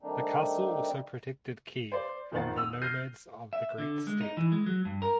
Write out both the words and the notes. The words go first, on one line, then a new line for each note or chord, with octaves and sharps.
The castle also protected Kyiv from the nomads of the Great Steppe.
D#3 G3 A3 C4 D4 D#4
C5 D5
F2 D#3 D#4 C5 F#5 A6
D#6 E6 F7
F6 G6 A#6 C7 D#7
E5
D3
G#3
D#4
E3
G#3
F#3
G2
A#4